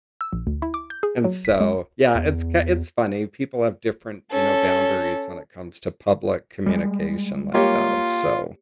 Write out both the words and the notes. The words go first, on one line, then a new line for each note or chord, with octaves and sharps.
And so, yeah, it's k it's funny, people have different, you know, boundaries when it comes to public communication like that, so.
E6
A#1
D2
E4
D6
G6
G#4
F#3
B6
G#3
E2
C#4 A4
G3 G#3
A#3 F4 G4 C#5